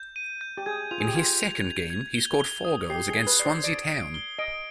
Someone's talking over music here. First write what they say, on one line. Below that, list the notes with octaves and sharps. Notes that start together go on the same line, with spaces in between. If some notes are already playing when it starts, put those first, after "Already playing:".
In his second game, he scored four goals against Swansea Town.
Already playing: G6
D#7
G6
G4
G#4 G#6
F4 F7
G#4
G4
F4 G#6
F7
F7
G#6
G7
G7
D#6
G4 C7
G#4
G#6
B4
D5 C7
C5
D5 D7
D7
G7
D#5 D7